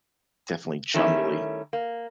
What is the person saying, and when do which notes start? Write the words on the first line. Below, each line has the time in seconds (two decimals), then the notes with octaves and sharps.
definitely jungly.
0.94 D#3 G3 A3 C#4 E4
1.73 A#3